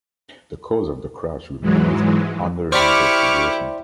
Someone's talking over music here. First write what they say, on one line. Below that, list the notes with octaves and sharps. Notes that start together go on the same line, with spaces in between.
The cause of the crash remains under investigation.
G#2 E3 F#3 G#3
E4 G4 C5 D5 B5 C#6 D6 F6